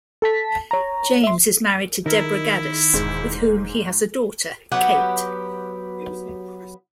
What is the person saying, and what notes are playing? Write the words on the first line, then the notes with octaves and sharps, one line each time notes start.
James is married to Deborah Gaddas, with whom he has a daughter, Cate.
A4 A5 B6
C#5 A#5
E5 C6
D#3 D#4 E4 A#4
E1 G#2 G#3
F#3 B3 G4 F#5